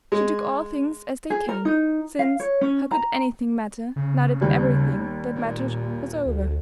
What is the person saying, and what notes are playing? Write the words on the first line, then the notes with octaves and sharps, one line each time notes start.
She took all things as they came, since how could anything matter now that everything that mattered was over?
G#3
G#4
A#4
D#4
F5
C#5
C#4
A#5
C#3
D#2 G3
A#2
D2